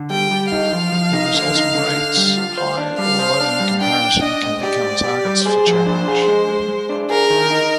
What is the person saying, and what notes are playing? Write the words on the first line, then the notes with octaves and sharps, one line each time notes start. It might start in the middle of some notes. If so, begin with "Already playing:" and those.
The resulting rates, high or low in comparison, can become targets for change.
Already playing: D3
G3 G5
G3
D#4 F5
F3
F3
D#4
D3
D#4
D3
D3
G3
F4
C5
D4
G3 F5
C5
D4
G3
D4 G5
D4
D4 D#5
G#2
G4 D5
G#2
G4
G3
G#4 C5
F3
D4
G#4
G#3
G#3
G#3
D4
G#4 A#4
D#3
D#4